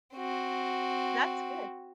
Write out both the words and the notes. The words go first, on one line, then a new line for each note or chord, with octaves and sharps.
That's good.
C4 F#4